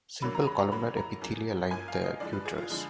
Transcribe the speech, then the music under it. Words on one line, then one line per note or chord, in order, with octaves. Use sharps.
Simple columnar epithelia line the uterus.
D3 F#3 A#3 B5
A#5
B5
A#5
D3 F#3 A#3 B5
A#5
F#2 F3 A#3
F#2 F3 A#3 G#5
F5
D#5
D3 F3 G#3 D5
B4
G#4
F4
D3 F3 G#3